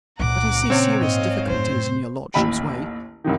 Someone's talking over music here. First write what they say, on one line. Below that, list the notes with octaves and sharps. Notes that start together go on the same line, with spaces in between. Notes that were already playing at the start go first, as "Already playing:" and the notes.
But I see serious difficulties in your lordship's way.
C#2 A#2 E3 F#5 A#5 D6
C#3 C4 C#5
G#2 D#5 F5
F#2 A2 C5
A1 D#2 E5 G5 B5
C2 F#2 C3 D#3